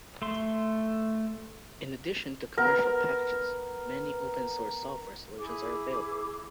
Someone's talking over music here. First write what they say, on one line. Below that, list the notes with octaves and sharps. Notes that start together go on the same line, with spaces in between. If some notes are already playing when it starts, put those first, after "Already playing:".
In addition to commercial packages, many open-source software solutions are available.
A3 C6
B3 A#4
E4 G#4 D6